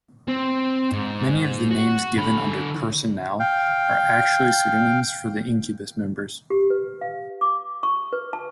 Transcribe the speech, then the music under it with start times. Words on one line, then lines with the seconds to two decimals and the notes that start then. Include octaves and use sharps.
Many of the names given under 'Personnel' are actually pseudonyms for the Incubus members.
0.28 C4
0.92 G#2
1.71 F#4
2.17 D3 B5
3.40 F5 G5
6.50 G4
6.70 B4
7.01 F5
7.41 D6
7.83 C#6
8.13 B4
8.33 A5